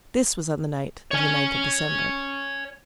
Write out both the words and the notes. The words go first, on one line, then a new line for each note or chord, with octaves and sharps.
This was on the night of the ninth of December.
C#5 G#5